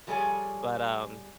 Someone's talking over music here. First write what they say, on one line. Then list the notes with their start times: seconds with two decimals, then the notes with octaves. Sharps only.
But, um,
0.07 F3 G3 G#4 A4 C#5 G#5